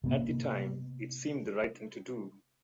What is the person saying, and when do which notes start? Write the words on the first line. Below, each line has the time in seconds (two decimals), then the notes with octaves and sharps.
At the time, it seemed the right thing to do.
0.04 C3 A#3 B3